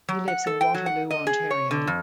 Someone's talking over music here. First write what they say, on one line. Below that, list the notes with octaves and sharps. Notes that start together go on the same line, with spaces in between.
He lives in Waterloo, Ontario.
F#3
F#5
A4
G5
F#3
F#5
D#5
G#4
C#5
D3
F2